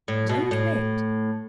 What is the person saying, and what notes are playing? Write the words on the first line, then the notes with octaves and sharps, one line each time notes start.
Don't wait.
A2
B2
A2